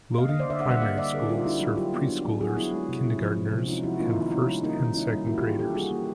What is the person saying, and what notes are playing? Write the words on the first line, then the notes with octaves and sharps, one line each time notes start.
Lodi Primary School served preschoolers, kindergarteners, and first and second graders.
A#3 D#5 F5
D#5 F5
D3
C5 D5
D3 D5 E5
E5 F#5
G3
E5 F#5
A#3 D#5 F5
D3 D5 E5
D3 G#4 A#4
G3 D#4 F4
D4 E4 F#4
F#3
F#3 F4 G4
B3
D4
F#3
F#3 F#4 G#4
B3 E4 F#4
G#3
C3
C#4 E4
F3
G#3
C3
C#4 D#4 F4
F3 E4 F#4
A#3 D#4 F4
E4
D#3 D#4
C#4 E4
G3
A#3 D#4
D#3
C#4 E4
G3
A#3 E4 F#4
F4 G4
E3
D4 G4 A4
G3 F#4 G#4
A#3